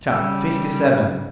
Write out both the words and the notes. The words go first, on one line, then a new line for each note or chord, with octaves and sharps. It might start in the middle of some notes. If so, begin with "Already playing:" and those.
Chapter LVII.
C#3 G3 E6